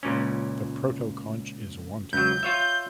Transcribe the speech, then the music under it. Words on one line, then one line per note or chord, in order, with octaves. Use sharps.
The protoconch is wanting.
C#2 A#2 C#4
C#2 F#3 G6
F4 C#5 E5